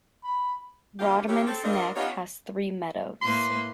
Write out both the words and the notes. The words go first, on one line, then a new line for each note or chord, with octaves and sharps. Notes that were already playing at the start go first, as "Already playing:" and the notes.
Rodman's Neck has three meadows.
B5
G2 C#3 A#3 F4 G4
F2 G3 A3 E4 G4 C#5
C4 A4
G2 C4 D4 F4 A#4 D#5
B3 C#4 D#4 F4 G4 C#5
A2 A#3 B4 C6